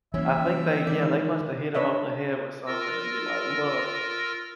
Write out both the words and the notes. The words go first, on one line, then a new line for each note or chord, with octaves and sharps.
I think they yeah, they must have hit them over the head with something and be like, "Look."
E3 A#3 C#4 E5
D#3 G#3 D5
D4 B4 C#5 D#5 E5
F4 A#4 E6 A#6